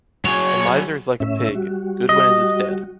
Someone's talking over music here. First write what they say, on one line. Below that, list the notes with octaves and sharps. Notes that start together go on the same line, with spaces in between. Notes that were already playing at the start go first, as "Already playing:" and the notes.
The miser is like a pig, good when it is dead.
F#3 F#4 G#4 C#5
A2 C#4 E5
G3 F#4
D#5